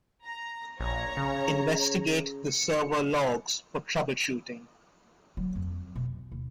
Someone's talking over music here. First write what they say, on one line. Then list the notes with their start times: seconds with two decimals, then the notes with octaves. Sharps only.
Investigate the server logs for troubleshooting.
0.25 A#5
0.80 A#1 C#5 A#5
1.17 C#3
2.49 C#7
5.37 F#3
5.56 F2
5.96 B2
6.32 D#2